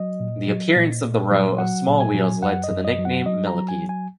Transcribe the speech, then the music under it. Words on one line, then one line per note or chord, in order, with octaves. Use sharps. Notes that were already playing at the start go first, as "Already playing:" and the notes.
The appearance of the row of small wheels led to the nickname "millipede".
Already playing: F#3 D#5
A#2
F#3
A#2
A#2
F#3
F#3 F#5
A#2
G#5
F#3
F#2 F#5
D#5
F#2
D#5
F#3
F#5
F#3 D#5
A#5
F#3
G#5
F#3
G#5